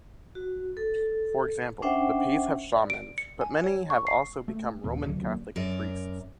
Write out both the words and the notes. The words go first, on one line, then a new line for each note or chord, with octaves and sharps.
For example, the Paez have shamans but many have also become Roman Catholic priests.
F#4
A4
C#4 D4 C5 E5 F#5 G5
D5
D7
C#7
G#5
C#5
C#6
C7
A3
D1 D#2 A#2 B3
C#2 D3 F3 F#3
D#1 F#3 A#3 D4
F#2 A#4 D5